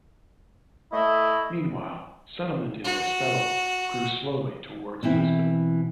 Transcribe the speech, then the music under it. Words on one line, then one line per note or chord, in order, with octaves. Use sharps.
Meanwhile, settlement in Restelo grew slowly towards Lisbon.
A3 E4 D#5
F#4
B2 E3 C4 E4